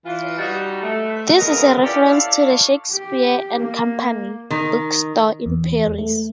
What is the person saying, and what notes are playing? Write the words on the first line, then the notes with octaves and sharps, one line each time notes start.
This is a reference to the "Shakespeare and Company" bookstore, in Paris.
E3 F4
G3 D#4 F#4
A3
E2 C#3 F#3 B3 A#4 D#5
C#4 E4 F4 G4 D5
E4 A4 C#5 D5 F5
G4
A#3
D#3
E2
A3